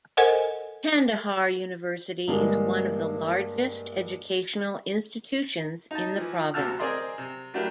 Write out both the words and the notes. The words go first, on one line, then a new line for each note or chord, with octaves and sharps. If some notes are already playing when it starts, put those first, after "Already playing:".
Kandahar University is one of the largest educational institutions in the province.
A4 A#4 C5 D#5 F#5 G#5
G2 D3 G3 G#3 A#3
D#4 A5
E3 F3
D2 C3 F#4 A5 E6 F6
C4 G#4 A#4 D5 D#5 C6
C3
F#3 A3 D4 E4 G4 A#4